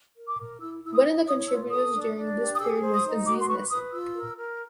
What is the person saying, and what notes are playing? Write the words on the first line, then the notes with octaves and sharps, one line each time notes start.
One of the contributors during this period was Aziz Nesin.
A#4
D6
A#4
E4 E6
E4 E6
D#6
E4
C#5 D#6
F4 E6
A4 D#6
D4
D4
G4
D#6
G#4 E6
C5
D#6
D#4
F#4 D6
C6
B4 C#6
B4 D#6
F4 E6
A#4
A#4